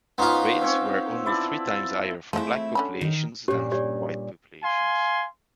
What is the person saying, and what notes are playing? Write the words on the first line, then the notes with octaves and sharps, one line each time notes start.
Rates were almost three times higher for black populations than for white populations.
B3 C#4 D#4 F4 C5
C4 C#4 C#5
E4 D5 A5
F3 G#3 A3 C4 E4
D3 C#4 B5
D#3
G2 A#2 C#4 G4 C#5
G4 C#5 D5
F5 G#5 C6